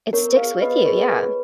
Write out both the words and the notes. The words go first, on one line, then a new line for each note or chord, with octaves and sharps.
it sticks with you, yeah.
B3 A#4 C#5
F4 G#4 C#5 F5
B3 B4 D#5
F4 G#4 A#4 C#5
B3 B4